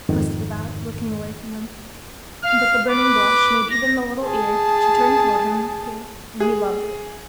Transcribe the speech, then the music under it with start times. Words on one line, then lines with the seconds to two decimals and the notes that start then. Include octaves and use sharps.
She twisted about, looking away from him, but the burning blush made even the little ear she turned toward him pink, and he loved it.
0.09 F2 G#2 D#3
2.44 F5 F6
2.87 B4 D6
3.70 A#6
4.25 G#4 A5
6.40 G#4